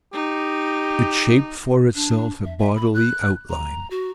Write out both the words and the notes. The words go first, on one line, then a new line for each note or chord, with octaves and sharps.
It shaped for itself a bodily outline.
D#4 G4
D4
E5
E5
B5
F#6
A#5
F#4